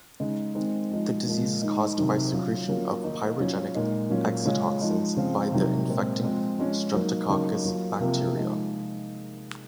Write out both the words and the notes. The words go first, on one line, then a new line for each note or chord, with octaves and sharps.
The disease is caused by secretion of pyrogenic exotoxins by the infecting "Streptococcus" bacteria.
C#3 G#3 D#4
D#3 G#3 C4
F3 G#3 D#4
A#2 F3 G#3
D#3 G#3 D#4
C3 D#3 F#3
F#3 C#4 F4
F#3 A#3 C#4 F4
D#3 A#3 D#4
F#3 C#4 F4
A#2 G#3 D#4
A#2 F#3 C#4 F4
C#3 G#3 C#4 F4
F3 G#3 D#4
C#3 F3 C4 F4
C3 D#3 F#3
A#2 G#3 C4
F3 G#3 C4
F3 G#3 C#4
F#3 A#3 D#4
C#3 F#3 A#3 D#4
F#3 A#3 F4
C3 F3 A#3 F4
F3 G#3 D#4